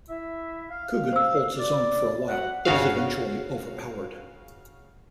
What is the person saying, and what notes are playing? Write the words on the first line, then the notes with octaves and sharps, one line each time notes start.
Coogan holds his own for a while but is eventually overpowered.
E4 E5
F5
C5 E6
D5
F#4 E5 F#5
G1 C#3 F#4 F5